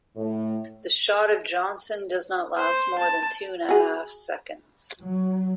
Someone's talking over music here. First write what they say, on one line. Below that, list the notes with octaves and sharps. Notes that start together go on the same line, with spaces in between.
The shot of Johnson does not last more than two and a half seconds.
A2
C5
A5
F#4 G#4
F#3